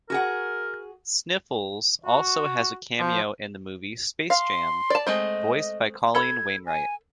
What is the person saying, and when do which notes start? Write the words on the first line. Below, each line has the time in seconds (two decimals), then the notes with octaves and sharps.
Sniffles also has a cameo in the movie "Space Jam" voiced by Colleen Wainright.
0.10 F#4 G#4 A#4 F#5
2.06 F#4
2.99 F3
4.30 F5 C6
4.90 D5 A5
5.07 G#3 A3 C4 D#5
6.15 A4 B5 G#6
6.66 G#5